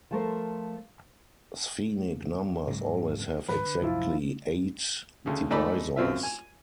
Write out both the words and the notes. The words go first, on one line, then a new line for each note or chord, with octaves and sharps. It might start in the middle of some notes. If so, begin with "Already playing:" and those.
Sphenic numbers always have exactly eight divisors.
F3 A3 A#4 C5
G#2 F#3
G#2 D#3 F3 B4
D3
C2 F#2 A2 F3 E4 F4
D2 C#3
G#2 A3 D5 B5
F#2 C4 F4 E5
G#5